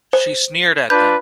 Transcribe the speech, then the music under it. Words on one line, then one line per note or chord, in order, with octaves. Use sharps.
She sneered at them.
C5
D4 F4 B4 G6